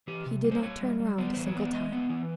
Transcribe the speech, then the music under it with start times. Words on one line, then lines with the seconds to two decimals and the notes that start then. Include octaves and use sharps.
He did not turn round a single time.
0.07 E3 G4
0.26 C3
0.44 G3
0.51 C5
0.62 A#3 C#5
0.82 G3
1.00 G3
1.18 B3 D5
1.34 E3 C5
1.46 C#5
1.55 B3 D5
1.73 G#3 D#5
1.92 B3
2.09 E3